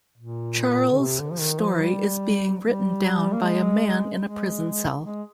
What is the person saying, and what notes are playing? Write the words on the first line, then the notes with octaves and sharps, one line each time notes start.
Charles' story is being written down by a man in a prison cell.
A#2
D3
C3
D3
F3
D#3
F3
G3
G3
A#3
G#3
G#3
G#3